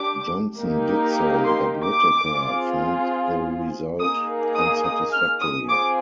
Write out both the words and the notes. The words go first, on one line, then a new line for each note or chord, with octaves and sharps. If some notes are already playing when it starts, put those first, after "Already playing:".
Johnson did so, but Whitaker found the result unsatisfactory.
Already playing: D4 G4 D6
A#3 D#4 G4
C6
D6
C4 F4 G#4
A#3 D#4 G#4 D#6
D#6
D#6
F6
D#6
C4 F4 G#4 D6